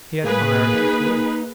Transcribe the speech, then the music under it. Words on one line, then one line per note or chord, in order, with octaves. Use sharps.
He admired her, too.
A2 A#3 G#4 B4
D#4